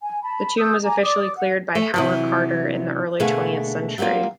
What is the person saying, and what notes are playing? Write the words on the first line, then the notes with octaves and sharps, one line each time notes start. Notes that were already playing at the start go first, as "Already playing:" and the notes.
The tomb was officially cleared by Howard Carter in the early twentieth century.
G#5
A5 B5
D#6 E6 G6
G#5 A#5 D6
D5 D6 D#6
F#5
A3
C3 E3 F#3
B2 D3 A3 A#3 G#4
F#3 G3 A3 A#3 F4